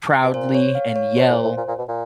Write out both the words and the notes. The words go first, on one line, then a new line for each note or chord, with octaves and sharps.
proudly and yell,
B2
A#2 C5
C#5
F5
C#5
B2 C5
A2
A2
A#2
A#2
B2
A#2